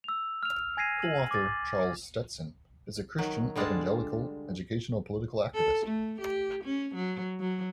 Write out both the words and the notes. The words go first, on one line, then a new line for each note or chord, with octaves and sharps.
Co-author Charles Stetson is a Christian Evangelical educational political activist.
E6 F7
F6 F7
G#5 G#6 A#6 C7 D#7
F#7
D6 A6
D#3 F#3
D3 G3 G#3 D4 F4 A5
A4
A3
G4
C#4
F#3
F#3